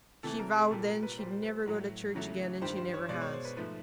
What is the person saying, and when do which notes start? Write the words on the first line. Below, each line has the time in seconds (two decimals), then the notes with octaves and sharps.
She vowed then she'd never go to church again, and she never has.
0.23 C3 E3 A3 A4
0.39 A#4
0.55 G#4
0.71 A#2 G3 A4
0.87 A#4
1.03 B4
1.18 A#2 G3 C5
1.32 C5
1.42 B4
1.66 A2 F#3 A3
2.14 E2 C#3 F#3 A3
2.61 G2 D#3 G3 C5
2.77 C5
2.93 C#5
3.09 B2 G#3 D5
3.21 C#5
3.33 C5
3.45 B4
3.57 G#2 F3 A3 B4